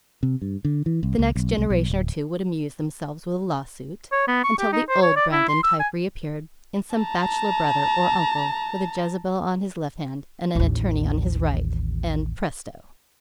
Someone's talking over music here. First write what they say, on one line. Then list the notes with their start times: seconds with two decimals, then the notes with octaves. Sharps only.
The next generation or two would amuse themselves with a lawsuit, until the old Brandon type reappeared in some bachelor brother or uncle, with a Jezebel on his left hand, and an attorney on his right, and, presto!
0.23 C3
0.42 G2
0.65 D3
0.86 E3
1.03 C2
1.19 C#2
1.36 B1
1.58 C2
1.70 B1
1.88 D1
4.12 C#5
4.28 B3
4.44 C#6
4.59 G4
4.73 D#4
4.89 C5
5.03 C#5
5.16 D5
5.32 E4
5.49 C6
5.64 E6
5.80 G#5
6.96 A5 A#5
10.55 A1 D#2